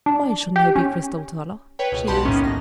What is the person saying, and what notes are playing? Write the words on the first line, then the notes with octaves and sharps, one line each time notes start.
"Why shouldn't I be Cristel Toller?" she asked.
D4
G4
C#4
B4 C#5 G5
C#2 B2
B1 G4 F#5 A5 B5 C6
D#2 A2 D#3 A#3 B3 C#4
A#6